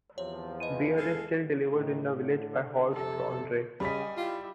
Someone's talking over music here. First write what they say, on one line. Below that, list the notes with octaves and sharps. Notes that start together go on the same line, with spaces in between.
Beer is still delivered in the village by horse-drawn dray.
E2 C3 F3 C#5
E3 D#5 D#7
G#3 A4 F5
A2 D#3
D3
F2 C3 A4
C#3 G3 D#5 G#5 B5 B6
E4 F4 G4